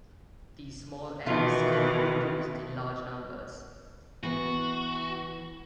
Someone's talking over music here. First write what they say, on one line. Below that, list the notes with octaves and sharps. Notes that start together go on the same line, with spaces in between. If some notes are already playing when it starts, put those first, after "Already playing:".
These small eggs can be produced in large numbers.
B2 D#3 E3 A3 F4
E3 B3 F#4